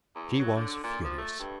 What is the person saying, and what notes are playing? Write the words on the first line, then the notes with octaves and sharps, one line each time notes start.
She was furious.
E2
F#3
D3
A#2
F3
A3
G2